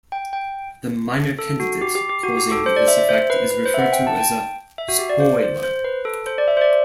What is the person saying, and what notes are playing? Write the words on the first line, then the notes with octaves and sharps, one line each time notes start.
The minor candidate causing this effect is referred to as a "spoiler".
G5
G5
A4
F#4
G4
G4
G4
F#4
G4
A4
C5
D5
E5
E5
C5
B4
B4
C5
E5
F#5
G5
A5
G5
E5
F#4
G4
D5
C5
C5
C5
B4
A4
C5
D5
E5
C5
D5